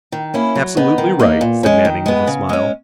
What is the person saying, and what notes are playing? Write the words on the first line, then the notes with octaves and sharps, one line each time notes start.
"Absolutely right," said Manning with a smile.
D#3
A#3 C#4 E4
F#3
B3 D#4
D#3
A#3 D#4
A#2
G#3 C#4
D#3
G#3 B3
C#3
G#3 C#4